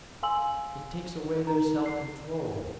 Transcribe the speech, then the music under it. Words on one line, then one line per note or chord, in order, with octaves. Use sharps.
It takes away their self-control.
F5 G#5 C6 E6 F#7
D#4 A#5
C7